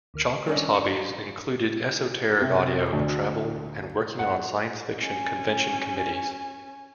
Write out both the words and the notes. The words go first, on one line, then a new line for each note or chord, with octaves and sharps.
Chalker's hobbies included esoteric audio, travel, and working on science-fiction convention committees.
D2 D#3 F6
G3 C#4 D4 A4 C#5 D#5
C#7
C3
D2
F#5
C#4 G#5